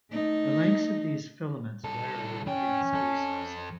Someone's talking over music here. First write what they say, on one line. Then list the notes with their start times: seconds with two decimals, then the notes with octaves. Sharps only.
The lengths of these filaments vary within species.
0.11 A3 D#4
1.84 C2 A4
2.46 F2 C#4 G5
2.93 F2 A4